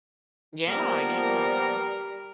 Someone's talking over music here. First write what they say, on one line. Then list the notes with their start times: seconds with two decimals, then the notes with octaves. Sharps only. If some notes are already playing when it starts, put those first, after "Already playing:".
Yeah, yeah.
0.67 F3 G3 A#3 B3 A#4